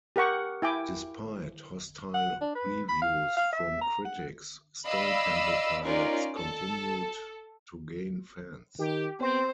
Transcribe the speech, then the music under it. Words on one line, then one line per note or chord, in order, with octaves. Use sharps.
Despite hostile reviews from critics, Stone Temple Pilots continued to gain fans.
G4 A#4 F#5 C#6
E4 G5 G#5 D6
F#5
D4
B4
B5
F5
F5
E5
A#5
F#5
D5 D#5 F5 B5 E6
C#4 D#4 F4 A#4 D5
A4
D#3 G4
B3 C4 C5